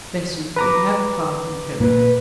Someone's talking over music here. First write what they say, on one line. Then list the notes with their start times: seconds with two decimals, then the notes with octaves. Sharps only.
'Bessy--we have a Father in Heaven.'
0.56 B4 A#5 D6
1.80 A#2 A#3 B4